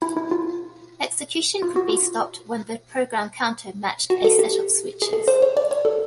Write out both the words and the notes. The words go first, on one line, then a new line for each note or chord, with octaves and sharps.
Execution could be stopped when the program counter matched a set of switches.
E4
E4
F4
F4
F#4
F4
F#4
A4
G4
G#4
A4
C5
C#5
D5
C#5
A4